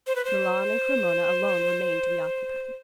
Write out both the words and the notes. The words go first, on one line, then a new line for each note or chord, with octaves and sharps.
Milan and Cremona alone remained to be occupied.
C5
B4
C5